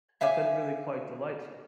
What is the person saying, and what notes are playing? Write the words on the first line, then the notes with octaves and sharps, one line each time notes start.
have been really quite delightful.
E5 F5 G#5 D6